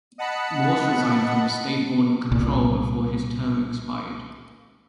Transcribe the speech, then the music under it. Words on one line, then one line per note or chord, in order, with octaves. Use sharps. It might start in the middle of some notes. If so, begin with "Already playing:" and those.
Morse resigned from the State Board of Control before his term expired.
D#5 F#5 A5 B5 F#6 C#7
C2 A#2